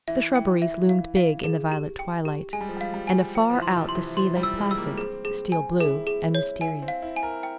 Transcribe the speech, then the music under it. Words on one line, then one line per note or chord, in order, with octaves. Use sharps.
The shrubberies loomed big in the violet twilight and afar out the sea lay placid, steel-blue and mysterious.
E3 E5
G5
E5
F5
F5
G#4
G4
G5
G4
G#3 G#5
G3
F3
G3
F5
G3
G#5
F3 G5
F3
E3
C6
C3
C6
E3
F3 C6
G3
E6
G#3
E6
A#3
C4 G#4
G#4
G#5
E4 G#4
G#4
C#5
E4 G#5
C4
F5
E4
G#5
A#4
G5